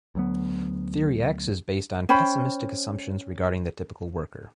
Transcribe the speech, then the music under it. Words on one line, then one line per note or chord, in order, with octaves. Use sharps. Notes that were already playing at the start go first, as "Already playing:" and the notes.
Theory X is based on pessimistic assumptions regarding the typical worker.
D2 F#3 B3
C#4 C5 G5 B5